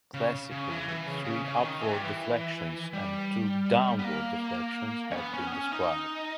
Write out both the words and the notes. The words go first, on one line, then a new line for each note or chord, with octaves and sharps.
Classically three upward deflections and two downward deflections have been described.
C#3
C#3
E3
E3
C#3
C#3
C#3
D#3
E3
G3
E3
G3
B3
A#3
C#4
B3
C#4
B3
C#4
D#4